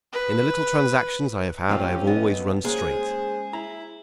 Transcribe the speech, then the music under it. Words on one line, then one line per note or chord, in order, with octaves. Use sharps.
In the little transactions I have had I have always run straight.
B4
F3 A3 C4 C#4 F4 G4 F5
B3 D#5
G#3 A#3 C#4 G#4 C5
E4 A#5